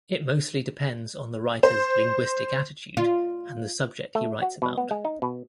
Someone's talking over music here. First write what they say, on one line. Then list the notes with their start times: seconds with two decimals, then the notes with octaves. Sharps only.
It mostly depends on the writer's linguistic attitude and the subject he writes about.
1.63 C5
2.97 F4
4.15 A3
4.42 F#4
4.62 B2
4.78 B3
4.91 G#3
5.05 D#4
5.22 B2